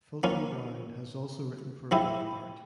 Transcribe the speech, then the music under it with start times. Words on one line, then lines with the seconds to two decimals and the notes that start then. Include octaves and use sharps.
Fulton Brown has also written for "Breitbart".
0.23 F3 A#3 C#4
1.91 F3 G#3 E4 G4